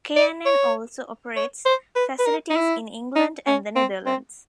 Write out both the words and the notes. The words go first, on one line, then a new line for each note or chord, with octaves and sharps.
K and N also operates facilities in England and the Netherlands.
D5
C#5
C#5
C5
B4
B4
A#4
D#4
E4
D#4
C#4
C4
C4